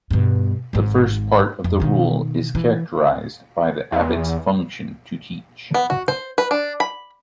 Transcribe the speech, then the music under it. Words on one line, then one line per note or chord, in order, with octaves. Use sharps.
The first part of the Rule is characterized by the abbot's function to teach.
G2 B2
G#1 G#2
F2
B2 D#3
E3
E2
B3
F#4
C5
B4
D4
B5